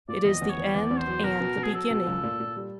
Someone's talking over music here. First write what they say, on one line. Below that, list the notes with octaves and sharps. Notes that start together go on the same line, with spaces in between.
It is the end and the beginning.
A#2 D5
E2 D#5
E2
C#5
E2
E2 D5
E2
C5
F#3
B2 A#4
B2
B2
G#4
F#3 A4
B2
C#2
A#2
A#2
G3